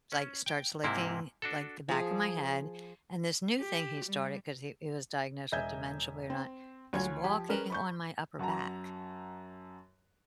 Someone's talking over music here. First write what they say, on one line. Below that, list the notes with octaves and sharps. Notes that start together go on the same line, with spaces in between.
like starts licking like the back of my head, and this new thing he started, 'cause he he was diagnosed with dementia believe it or not, is walking on my upper back.
C#4
G5
G#2 C3 A#3 C4 E4
D4 F#4 A4
F3 G#4
G4
G3
E1 D#5 E5 G#5 G6 G#6
C4
D2 F4 C#5 G#5 G#6
F3 G4
G#3 C#4 A#4 B4
B5 C#6 G6
F#2 F#4 A5 A#5